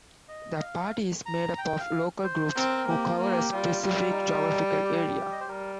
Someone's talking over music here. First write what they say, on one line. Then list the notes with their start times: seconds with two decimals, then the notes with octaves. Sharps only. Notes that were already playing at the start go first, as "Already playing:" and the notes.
The party is made up of 'local groups', who cover a specific geographical area.
0.28 D#5
0.61 F5
1.26 A#5
1.58 G5
1.80 F5
2.24 C5
2.56 C4 A#4
2.88 A#3 G4
3.10 F4
3.21 A#3
3.32 G4
3.54 G3 F4
3.86 G3
4.10 D#4
4.18 F4
4.40 D#4
4.83 G4
5.32 D#5
5.40 C5
5.48 G3 A#4